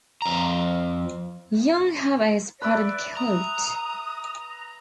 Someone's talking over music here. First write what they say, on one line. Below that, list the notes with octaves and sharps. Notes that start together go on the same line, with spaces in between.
Young have a spotted coat.
F2 A#5
B4 D5 E5
A#5 D#6